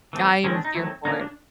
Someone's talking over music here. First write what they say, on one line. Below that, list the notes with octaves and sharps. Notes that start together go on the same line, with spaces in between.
"I am here for it."
E3 A3 C4
D#3 G#3 C4 C#4
D4
D#4
D#3 F#3 A3 C4 E4
D3 F3 A#3 C#4 D#4
D4